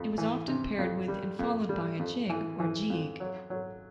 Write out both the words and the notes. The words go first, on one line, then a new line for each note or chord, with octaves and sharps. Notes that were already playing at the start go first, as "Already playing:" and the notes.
It was often paired with and followed by a jig or gigue.
Already playing: F2
E3
C3
F2
G3
F2
G3
F2
E3
E3
F2
F#3
F#3